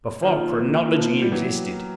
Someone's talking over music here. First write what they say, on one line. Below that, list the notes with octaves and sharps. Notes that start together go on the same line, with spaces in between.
Before chronology existed....
A#2 D#3 F3
A#2
A#2 E3
A#2
D#3 F3 E4
B3
G3
E3 F#3 G4
G4
A#4